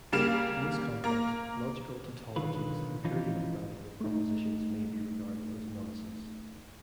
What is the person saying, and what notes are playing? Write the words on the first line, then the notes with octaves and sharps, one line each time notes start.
In this context, logical tautologies, and purely mathematical propositions may be regarded as "nonsense".
C#3 G3 A#3 F5 E7
A#3 A#5
B1 D3 D#3 F4 B4
E3 F3 C#4 D#4 F4
A3 D#4